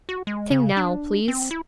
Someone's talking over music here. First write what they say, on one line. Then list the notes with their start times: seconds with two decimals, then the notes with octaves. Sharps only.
'Sing now, please.'
0.09 F#4
0.27 G#3
0.51 C#3
0.77 D4
1.28 C4
1.51 E4